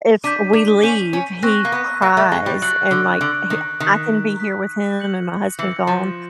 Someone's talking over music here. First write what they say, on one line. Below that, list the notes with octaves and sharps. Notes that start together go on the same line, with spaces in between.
If we leave, he cries and, like, he I can be here with him and my husband gone,
D4 G6 B6 D#7
D4
C#4 G6 B6 D#7
C#4
C4 C#6 F#6 A#6
A#3
B3
A#3 C#6 F#6 A#6
A3
G#3
G3
F#3 F#6 A6 D7 F#7
D3
D3 F#6 A6 D7 F#7
D#3
D#3 D#6 F#6 B6
D#6 F#6 B6
G6 A#6 C#7 F#7
E3 G6 A#6 C#7 F#7
F3